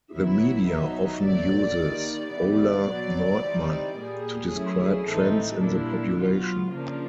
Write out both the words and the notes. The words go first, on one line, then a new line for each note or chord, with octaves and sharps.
The media often uses "Ola Nordmann" to describe trends in the population.
F#3 B3 E4 E5
B2 F#3 B3 D#4
A#2 F#3 A3 D5
D#3 G3 A#3
E3 G3 B3 D5
B2 F#3 B3
E3 G3 C4 D#4
A#2 G3 A#3 G#4
F#3 A3 C#4 E4
A2 E3 A3 C4 D#4 A4
A#2 G3 A#3 D4 E4
B2 F#3 B3 F4
C#3 F3 A#3 D4 F4